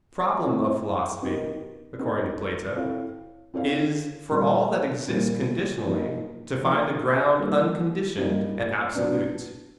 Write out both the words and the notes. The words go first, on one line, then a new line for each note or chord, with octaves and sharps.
"The problem of philosophy," according to Plato, "is, for all that exists conditionally, to find a ground unconditioned and absolute."
A3 C4 E4
B3 D#4 G4 A#4
B3 D#4 G4 A#4
C4 E4 A4 C#5 F5
C4 E4 A4 C#5 F5
A#2 G3 A#3
A#2 G3 A#3
F3 A#3 D#4
F3 A#3 D#4
G3 A#3 D#4
G3 A#3 D#4
F#3 B3 D4